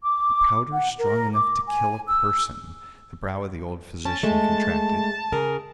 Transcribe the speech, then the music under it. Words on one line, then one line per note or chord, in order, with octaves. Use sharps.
"A powder strong enough to kill a person?" The brow of the old physician contracted.
D6
F#5
A#4
D6
G#5
E6
C#4 A5
G#3 A3
C#3 G#4 A#4